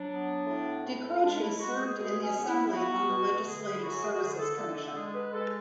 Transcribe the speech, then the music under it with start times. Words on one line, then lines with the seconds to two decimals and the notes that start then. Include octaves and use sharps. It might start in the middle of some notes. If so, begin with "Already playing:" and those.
DeCroce served in the Assembly on the Legislative Services Commission.
Already playing: F#3 D4
0.11 B3
0.47 A2
0.85 A2
1.22 G#3 D4
1.41 E4
1.59 G#3 F#4
1.79 G#4
1.97 B2 G#4
2.22 C#4
2.35 B3
2.47 E4
2.66 E4
2.71 B3 F#4
3.08 B2
3.46 D3 G#4
3.65 G#4
3.76 E4
3.83 F#2 F#4
4.02 G#4
4.13 F#4
4.20 D3 G#4
4.39 A4
4.58 D3 A4
4.77 A4
4.95 G#3 G#4
5.14 B4
5.33 G#3 A4